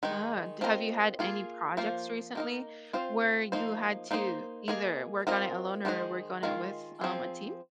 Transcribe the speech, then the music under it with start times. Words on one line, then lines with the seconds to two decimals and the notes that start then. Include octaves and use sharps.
Uh, have you had any projects recently where you had to either work on it alone or work on it with, um, a team?
0.03 D#3 G#3 D#4
0.61 C4 F4 A#4 D#5
1.19 A#3 F4 G#4
1.77 F3 A#3 F4 C5
2.35 A#3 D#4 A#4 D#5
2.93 C4 F4 C5
3.52 F3 A#3 D#4 C5
4.11 A#3 D#4 C5 D#5
4.68 A#3 G#4 D#5
5.27 C4 F4 A#4 D#5
5.85 D#3 G#3 F4 C5 D#5
6.43 D#3 G#3 F4 A#4
7.01 F3 C4 G#4